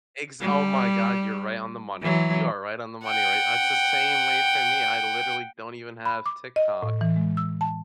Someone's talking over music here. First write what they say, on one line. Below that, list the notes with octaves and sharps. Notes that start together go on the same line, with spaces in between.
Ex oh my god, you're right on the money, you are right on the money, right? That's the same way for me, I literally don't even have TikTok.
G3
E3 F#3
F#5 G5
B5
D6
D#5
A2
E3
G#3
E6
A5